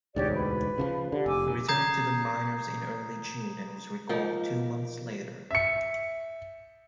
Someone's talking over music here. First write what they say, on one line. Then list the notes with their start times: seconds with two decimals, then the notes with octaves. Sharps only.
He returned to the minors in early June and was recalled two months later.
0.16 E1 D2 G#2 G4 C#5 D5
0.35 B4
0.78 C#3 E3 F3
1.12 D3 G4
1.26 F1 G#5 D6 E6
1.68 A#5 D#6 G6 G#6 C7
4.09 F3 A#3 D#4
5.51 E5 C#7